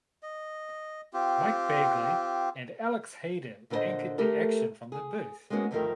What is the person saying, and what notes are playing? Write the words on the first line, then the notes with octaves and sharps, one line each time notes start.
Mike Bagley and Alex Hayden anchored the action from the booth.
D#5
C4 F4 G4
A#2 D3 A4 A#4 C5 D#5
A3 G4 A4 A#4
G#4
G#3 A#3 B3 C#4 F#4
D2 G2 D#3 F3 A3 A#4